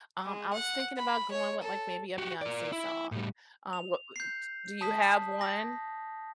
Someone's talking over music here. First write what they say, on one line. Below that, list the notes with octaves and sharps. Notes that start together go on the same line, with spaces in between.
Um, I was thinking about going with, like, maybe a Beyonce song, um, what, w d do you have one?
G#3
F#5
B5
C#5
A4
F#4 G4
A#4 D5
E4
A2 G3
F7
G6 C7
A5 D#6 B6
A#6